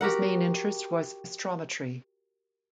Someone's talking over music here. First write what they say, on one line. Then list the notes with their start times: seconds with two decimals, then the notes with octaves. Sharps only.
His main interest was astrometry.
0.01 F#4 G4 A#4 F#5